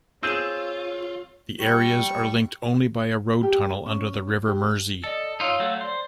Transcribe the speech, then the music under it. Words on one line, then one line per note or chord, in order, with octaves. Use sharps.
The areas are linked only by a road tunnel under the river Mersey.
C4 F4 G#4 C#5 E6 G6 E7
G3 C#6
G4
C#4
G4
A4 D5 D#5
D#4 F4 C#5 F5 E6
F#3 A3
C5 D5 C6